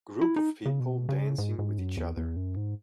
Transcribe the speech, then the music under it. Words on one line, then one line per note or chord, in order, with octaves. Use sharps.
Group of people dancing with each other.
E4
D#4
C#3
B2
C#3
G#2
G#2
F#2
E2
E2
F#2
G#2